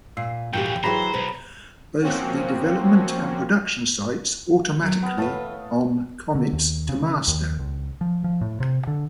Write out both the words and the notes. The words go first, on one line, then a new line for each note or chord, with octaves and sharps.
Both the development and production sites automatically on commits to master.
A#2 E6 C7
F2 A#2 E3 F#4 G4 G5 C#7
E3 F#3 G4 G#4 C5 G5 A#5 B5
B1 B4 C5
F3 A#3 C4 C#4 F#4
F#3
B3 A#4
A2 E3 B4 F5 A5
D3
D#2
C#3
D#2
C#2
F3
F3
A2
C3
D3